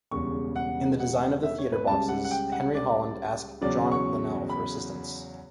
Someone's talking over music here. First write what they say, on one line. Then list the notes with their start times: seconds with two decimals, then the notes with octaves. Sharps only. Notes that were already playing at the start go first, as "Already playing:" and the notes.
In the design of the theatre boxes, Henry Holland asked John Linnell for assistance.
0.11 E1 E2 C#3 G3 C#6
0.56 F#5
1.00 F#5
1.43 E5
1.58 C#5
1.72 B4
1.86 C#2 C#3 G3 A5
2.08 F#5
2.25 F#5
2.31 G5
2.52 F#5
2.75 D5
3.61 E2 C#3 F#3 D5
3.92 C#6
4.50 B5